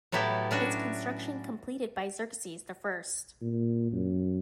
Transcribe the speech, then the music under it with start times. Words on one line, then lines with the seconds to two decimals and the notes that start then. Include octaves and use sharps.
Its construction completed by Xerxes the First.
0.12 A2 F#3 B3 E4 G4 A4
0.51 C#4 D4 F#4
3.42 A#2
3.92 F#2